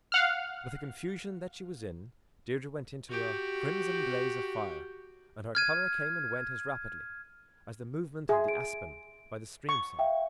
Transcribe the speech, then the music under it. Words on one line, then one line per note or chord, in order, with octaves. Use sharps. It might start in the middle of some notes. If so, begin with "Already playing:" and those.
With the confusion that she was in, Deirdre went into a crimson blaze of fire, and her colour came and went as rapidly as the movement of the aspen by the stream side.
F5 F#5 F6
F#4 G4
F6 G#6 D#7
G#4 E5 C6
D7
C#6
E5 F5 G5